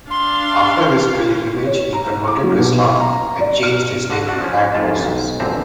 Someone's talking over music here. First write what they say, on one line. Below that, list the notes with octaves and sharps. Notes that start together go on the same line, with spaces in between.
After his pilgrimage he converted to Islam and changed his name to Hag Moses.
D4 F5 C6
C#5
A#5
D6
F#3
B2
F5
A#5
D5
F6
D3 F#4
D4 F#4 E5
F3 C#4
F2 G#2 F4 A5
B1
A#1 E2 G2 D3 C4 E5